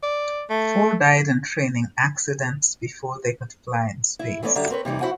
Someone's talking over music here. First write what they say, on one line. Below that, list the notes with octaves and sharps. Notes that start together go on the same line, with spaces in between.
Four died in training accidents before they could fly in space.
D5
A3
E4
E3 A3 B3 C#4 C5 D5
F#2 D3 G3 E5 A#5
C4 A#4 B4 C#5
C3 E3 G3 D#4
F2 E4 F#4 C5 F#5 G#5